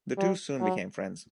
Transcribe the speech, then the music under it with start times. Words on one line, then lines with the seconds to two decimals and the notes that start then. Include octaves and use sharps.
The two soon became friends.
0.17 G3
0.60 F#3